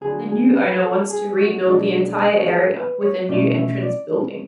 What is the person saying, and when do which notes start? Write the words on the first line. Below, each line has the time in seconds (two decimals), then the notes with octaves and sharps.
The new owner wants to rebuild the entire area with a new entrance building.
0.01 D2 D3 F#3 G#4
0.29 G#4
0.56 B4
0.83 A4
1.10 G#4
1.38 F#4
1.65 B1 B2 G#3 D4
2.35 F#4
2.47 G#4
2.74 B4
3.01 C#5
3.29 B2 A3 C#4 E4 D5
3.56 E5
3.83 D5